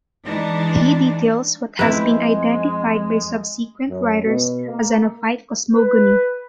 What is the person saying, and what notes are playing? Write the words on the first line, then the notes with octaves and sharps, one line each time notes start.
He details what has been identified by subsequent writers as an Ophite cosmogony.
E3 G#3 D4 D#4
F2 G#3 C4 E4 B4 B5
F#2
B2
A#3
B4